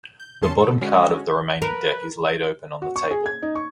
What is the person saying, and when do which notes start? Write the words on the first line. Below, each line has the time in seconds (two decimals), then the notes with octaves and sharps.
The bottom card of the remaining deck is laid open on the table.
0.20 G6
0.42 E2 C#4 A5 C6 C#7
0.59 A4
0.81 D3 G#3 C#4 F#4
1.62 A#4 B4
2.82 F#4
2.96 C#6
3.11 G#4
3.26 G#6
3.42 D#4
3.55 C#6